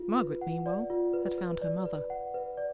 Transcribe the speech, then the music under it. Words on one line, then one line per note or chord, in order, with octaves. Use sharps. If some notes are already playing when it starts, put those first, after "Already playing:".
Margaret meanwhile had found her mother.
Already playing: F4
B4
F#5
D5
F4
B4
B4
D5
B4
F#5
B4
D5